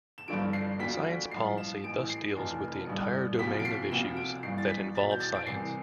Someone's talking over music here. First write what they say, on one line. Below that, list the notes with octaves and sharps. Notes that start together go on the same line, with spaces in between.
Science policy thus deals with the entire domain of issues that involve science.
E7
G1 G2 D3 F3 D7
C7
D2 D3 F3 B6
A1 G2 F3 C7
E7
A1 A2 E3 D7
C7
F1 F2 E3
A1 G2 D3
D2 C3 F3 B6
D7
C7
D2 C3 F3 E7
D7
G1 G2 E3 C7
A6
B6
E2 B2 A6
G6
A6
D7
C2 C3 E3 C7